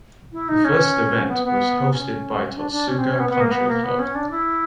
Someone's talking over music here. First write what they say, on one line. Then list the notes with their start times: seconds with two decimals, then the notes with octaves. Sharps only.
The first event was hosted by Totsuka Country Club.
0.32 E4
0.48 D#4
0.65 C#4
1.28 B3
1.44 B3
1.92 C#4
2.56 D4
2.71 D4
2.88 C#4
2.98 C4
3.09 C#4
3.19 B3
3.30 B3
3.41 A#3
3.51 B3
3.68 A#3
3.84 B3
3.99 C#4
4.15 D4
4.31 E4